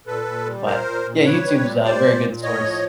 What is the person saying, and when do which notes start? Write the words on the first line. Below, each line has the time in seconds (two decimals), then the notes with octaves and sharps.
but yeah, YouTube's a very good source,
0.06 A#2 A4 B4
0.26 A#2
0.46 G3
0.65 A#2 A#4 C5
0.85 A#2
1.05 A#2
1.25 G3 B4 C#5
1.44 G3
1.63 A#2
1.84 G3 C5 D5
2.03 A#2
2.24 A#2
2.43 A2 C#5 D#5
2.63 F3